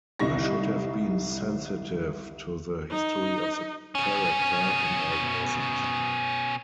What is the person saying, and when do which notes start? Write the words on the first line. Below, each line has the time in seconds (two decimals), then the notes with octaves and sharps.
I should have been sensitive to the history of the character and I wasn't.
0.19 C2 D3 G3 D#4 C#6 A#6
2.91 D#4
3.95 B2 C#4